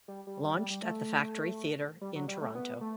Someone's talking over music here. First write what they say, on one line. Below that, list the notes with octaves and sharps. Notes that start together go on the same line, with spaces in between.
Launched at the Factory Theatre in Toronto.
G3
G3
G3
G3
G3
A3
G3
F#3
G3
A3
B3
A3